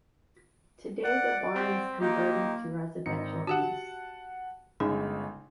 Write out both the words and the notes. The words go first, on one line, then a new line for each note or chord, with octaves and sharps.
Today the barn is converted to residential use.
D5 F#5
C4 F#4 G4
D#3 F3 A#3 D#4 G4
G#1 D#4 C#7
F#4 G4 F#5 A5
G1 C#3 G#3 D#4